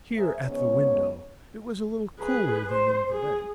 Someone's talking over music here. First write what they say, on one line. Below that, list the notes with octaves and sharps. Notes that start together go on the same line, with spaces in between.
Here at the window it was a little cooler than in the bed.
G#4 A#4 C5 E5
C#2 G#2 B3 C#4 C#5
G#4 B4
C5
G#4